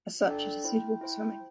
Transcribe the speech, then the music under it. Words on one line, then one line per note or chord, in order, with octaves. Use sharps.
As such, it is suitable for swimming.
D4 A4 D5 G5
E4 C5 G5
E4 C5 G5